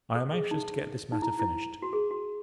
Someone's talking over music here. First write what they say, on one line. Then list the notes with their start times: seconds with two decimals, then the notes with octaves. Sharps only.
I am anxious to get this matter finished.
0.16 A4
0.33 G#4
0.51 D#4
1.12 D#4
1.22 E4
1.39 E4
1.82 F#4
1.93 G#4
2.11 F#4